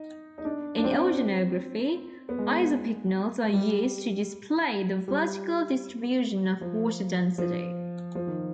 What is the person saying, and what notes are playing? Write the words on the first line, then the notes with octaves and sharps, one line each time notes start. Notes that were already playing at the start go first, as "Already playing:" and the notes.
In oceanography, isopycnals are used to display the vertical distribution of water density.
Already playing: D#4
D#4
D4
D4
C4
B3
G#3
G3
G3
F3
F3
F3
D#3